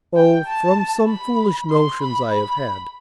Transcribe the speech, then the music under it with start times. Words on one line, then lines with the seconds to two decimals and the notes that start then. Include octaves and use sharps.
"Oh, from some foolish notions I have had."
0.16 G5
0.47 A5
1.09 B5
1.70 C6
2.01 B5
2.31 B5